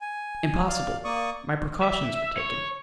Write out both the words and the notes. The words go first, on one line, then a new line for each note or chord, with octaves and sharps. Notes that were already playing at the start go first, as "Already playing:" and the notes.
"Impossible; my precautions were taken."
G#5
D5 F5
A#3 D5 C#6 D#6
E5
C#5